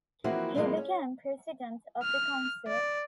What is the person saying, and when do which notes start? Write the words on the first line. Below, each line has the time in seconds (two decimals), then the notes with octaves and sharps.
He became president of the council.
0.24 E3 F3 A#3 C4 E4 F#4
0.55 G2 E3 F3 G#3 A#3 F4
0.77 C#4
2.03 F6
2.68 D5